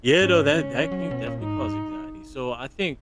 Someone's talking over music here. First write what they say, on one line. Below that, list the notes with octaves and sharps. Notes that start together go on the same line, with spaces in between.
Yeah no, that that can definitely cause anxiety, so, I think
G#2 C#4
D#3 C#4
C#3
F3
F#3
F3
B2
A#2
G#2 D#4
F#2
G#2